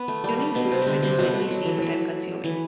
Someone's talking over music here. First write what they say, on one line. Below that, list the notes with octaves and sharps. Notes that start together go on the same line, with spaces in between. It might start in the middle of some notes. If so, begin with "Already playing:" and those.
Tuning this instrument is very easy but time consuming.
Already playing: B3
A3
G3
A3
B2 B3
C3 C4
D3 D4
C3 C4
B2 B3
A3
F#3
E3
F#3
E3